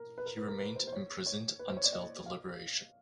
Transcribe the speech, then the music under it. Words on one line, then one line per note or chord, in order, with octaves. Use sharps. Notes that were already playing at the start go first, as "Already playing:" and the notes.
He remained imprisoned until the liberation.
Already playing: A#4
B4
A#4
B4
A#4
B4
C5
C5
C#5
C#5
B4
C5
C#5
D5
D#5
F5